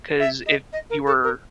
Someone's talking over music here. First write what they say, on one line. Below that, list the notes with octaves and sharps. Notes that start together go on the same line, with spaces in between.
'Cause if you were
E5
D#5
D#5
A#4
A4
A#4